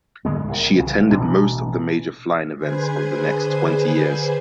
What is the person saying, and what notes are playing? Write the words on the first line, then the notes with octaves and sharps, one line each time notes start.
She attended most of the major flying events of the next twenty years.
G#2 D3 G#3 B3
C2 C3
C2 C#3 E3
A1 B2 E3 D4
D3 G#4 B4 C5 G#5 G#6